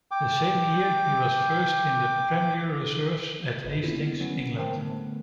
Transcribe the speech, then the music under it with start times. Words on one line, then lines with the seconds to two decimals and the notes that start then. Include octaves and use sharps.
The same year he was first in the Premier Reserves at Hastings, England.
0.11 G5 D6
3.64 G1 F#2 B4 D#5
3.83 A#3 B3 C#4 D4 E4 F4
4.01 D#3 G3 B3 E4
4.20 D#3 F#3 B3 C#4
4.58 A#4 C5 G5 A5
4.77 D3 G3 A3 B3